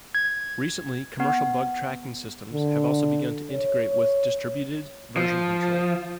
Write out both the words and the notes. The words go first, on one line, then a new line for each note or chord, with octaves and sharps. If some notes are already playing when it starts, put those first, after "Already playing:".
Recently, commercial bug tracking systems have also begun to integrate with distributed version control.
G#6
B3
D3
C#5
F3